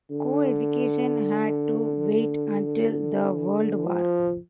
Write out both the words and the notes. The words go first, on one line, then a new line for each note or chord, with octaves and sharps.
Coeducation had to wait until the World War.
D3
F3